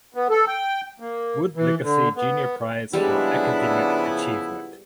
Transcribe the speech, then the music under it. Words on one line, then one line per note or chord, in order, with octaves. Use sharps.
Wood Legacy Junior Prize for academic achievement.
B3
A4
G5
A#3
E3
D3
B3
C#3 F3 G3 G#3 B3 D4 E4